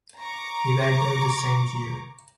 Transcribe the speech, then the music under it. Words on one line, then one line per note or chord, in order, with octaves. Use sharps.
He died there the same year.
A#5 C#6 D6